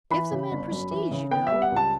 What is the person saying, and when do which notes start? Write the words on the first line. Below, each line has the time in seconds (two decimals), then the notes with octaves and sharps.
'Gives a man prestige, you know.
0.10 E3 B5
0.31 C#3
0.51 G1
0.71 F#2
0.91 E3
1.11 C#3
1.31 B3 G5
1.47 E5
1.52 G3
1.62 F#5
1.72 C#2 A5